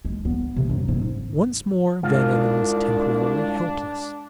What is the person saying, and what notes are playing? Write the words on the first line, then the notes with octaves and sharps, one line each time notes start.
Once more Van Emmon was temporarily helpless.
G#3
B3
C3
F#2
G#2 C4
C2 G#2 D4 F4